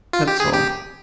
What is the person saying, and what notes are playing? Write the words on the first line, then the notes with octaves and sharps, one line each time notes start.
That's all.'
F4
G4
G#4
G4